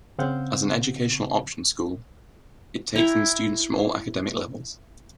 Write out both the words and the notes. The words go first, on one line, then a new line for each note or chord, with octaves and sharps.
As an educational option school, it takes in students from all academic levels.
C#3 C4 F5 F#5 G6
E4 G5 A#5